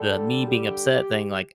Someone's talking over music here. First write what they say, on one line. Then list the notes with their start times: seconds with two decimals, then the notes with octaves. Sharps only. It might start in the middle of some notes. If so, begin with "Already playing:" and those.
the me-being-upset thing, like,
Already playing: D3 G3 A4
0.47 G4